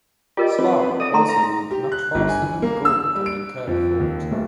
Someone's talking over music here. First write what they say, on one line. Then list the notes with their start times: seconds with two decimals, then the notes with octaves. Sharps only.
Slar also moved much faster than the Gorn Captain Kirk fought.
0.37 F4 G4 A#4 D5 D#5
0.59 C4 B4
1.00 A4 D5 E5 D#6
1.14 A3 A#5 C6
1.29 E5 A#5
1.71 G4
1.92 F#6
2.15 G1
2.29 G#5
2.42 E3
2.62 A#3
2.85 E6
3.15 G3
3.26 D7
3.67 F2
4.00 D#2
4.31 D1